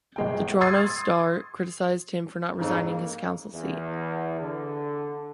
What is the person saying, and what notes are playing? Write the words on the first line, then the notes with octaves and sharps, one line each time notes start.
The "Toronto Star" criticized him for not resigning his council seat.
G1 G#3 G5
C6 C#6 D#6 G#6 A6 C7
F2 G#2 C#3
A#3
E2
D3